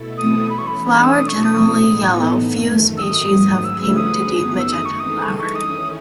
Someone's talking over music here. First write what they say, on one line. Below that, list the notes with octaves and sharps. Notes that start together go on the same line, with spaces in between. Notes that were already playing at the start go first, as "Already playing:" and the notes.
Flower generally yellow, few species have pink to deep magenta flower.
Already playing: B2 A3 E4 A4
D#6
E3 A3 C#4 B5
C#6
B5
E6
B2 A3 E4 D#6
C#6
D#6
A2 E3 B3 D#4 A4
F#2 D#3 A3
E6
G#2 D#3 F#3 D#6
F#3 C#4 G#4 B4 E6
E6
D#6
F#2 D#3 A3 D#4
E6
D#6
C#6
E3 G#3 D#4 A4
D#6
C#6
C#6
D#3 A3 C#4 E4 D#6